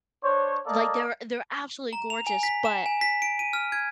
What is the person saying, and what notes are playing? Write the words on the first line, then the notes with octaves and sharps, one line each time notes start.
Like, they're they're absolutely gorgeous, but
D4 C5 C#5
A#3 A4 D5 D#5
A#5
F7
G#5
B6
E7
G#5
B6
D7
D#7
F6
G#6